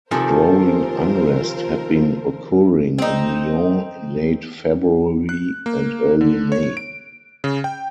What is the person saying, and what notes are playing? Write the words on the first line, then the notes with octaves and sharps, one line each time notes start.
Growing unrest had been occurring in Lyon in late February and early May.
C3 D#3 F3 F4 A4 A#4 C5 G#5
C4 D#4
F#6
A#3
D3
C#5
D7
C#3
G5